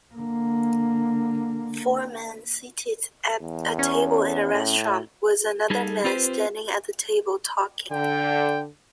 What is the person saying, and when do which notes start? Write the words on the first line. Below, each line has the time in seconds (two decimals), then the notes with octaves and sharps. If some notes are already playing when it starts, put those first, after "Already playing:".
Four men seated at a table in a restaurant with another man standing at the table talking.
0.14 D3 A#3
3.41 E2
3.79 C#4
4.54 A2
5.70 G3 D#4 G#4 A4
6.04 C4 F4 G4 B4 C5
7.92 D3 G5